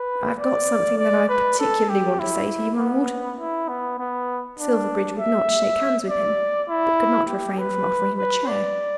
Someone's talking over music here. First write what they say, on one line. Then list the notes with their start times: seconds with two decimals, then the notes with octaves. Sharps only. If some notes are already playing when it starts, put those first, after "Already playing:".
"I've got something that I particularly want to say to you, my Lord." Silverbridge would not shake hands with him, but could not refrain from offering him a chair.
Already playing: B4
0.39 D5
0.99 D5
1.29 B4
1.59 A4
1.89 G4
2.19 E4
2.79 B3
3.39 E4
3.68 B3
3.98 B3
4.59 D4
5.19 E5
6.08 D5
6.69 E4
7.29 G4
7.58 B4
8.18 B4
8.48 D5